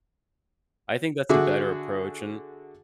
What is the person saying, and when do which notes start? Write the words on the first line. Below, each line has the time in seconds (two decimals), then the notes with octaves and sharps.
I think that's a better approach, and
1.29 D3 F#4 G#4 E5 D6